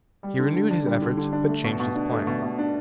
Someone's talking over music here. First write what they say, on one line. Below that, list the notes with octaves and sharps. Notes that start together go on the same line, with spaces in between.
He renewed his efforts, but changed his plan.
G3
D3
D3
D4
G3
D3
D3
D4
A3
B2
B2
D4
A3
B2
B2
D4